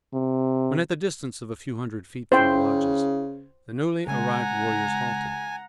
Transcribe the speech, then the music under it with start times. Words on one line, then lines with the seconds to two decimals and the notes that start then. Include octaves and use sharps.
When at the distance of a few hundred feet from the lodges the newly arrived warriors halted.
0.13 C3
2.32 C#3 C#4 E4 C5 G5
4.08 C#3 G#3 F#5 G#5 A#5